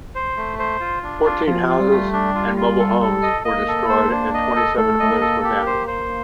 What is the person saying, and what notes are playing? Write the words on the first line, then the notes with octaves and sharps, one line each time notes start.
Fourteen houses and mobile homes were destroyed, and twenty-seven others were damaged.
C5
A3
C5
F4
D4
F4
F3 F4
F4
G3
A3
D4
F4
F4
A4
A4
D#5
A#3 D#5
A4
C5
D4
D#5
A4
A3 A4
A3 D#5
A#3
A4
G4
C5
C5